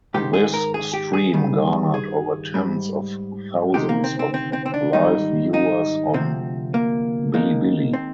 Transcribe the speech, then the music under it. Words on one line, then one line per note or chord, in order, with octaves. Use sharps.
This stream garnered over tens of thousands of live viewers on bilibili.
G#2 D#3 G#3 G4
G#4
A#4
G#4
G4
G#4
G2 D#3 G3
G#4
G#2 G3
D2 C3 D#3 G#3 G4
A#3
C4
C4
C4
C4
C4
D4
G#2 D#3 G3 D#4
D#4
D2 C3 F3 C4
A#3
D#2 D#3 G#3 A#3
C4